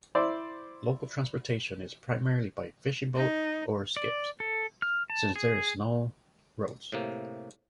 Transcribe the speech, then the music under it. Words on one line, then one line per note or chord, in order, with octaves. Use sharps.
Local transportation is primarily by fishing boats or skiffs, since there are no roads.
E4 C5 D5
D#4
D5
A4
F6
A5
G#4
A2 C3 A#3